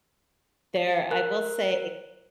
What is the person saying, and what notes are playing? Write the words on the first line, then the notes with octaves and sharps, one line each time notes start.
There I will say
A#4 F#6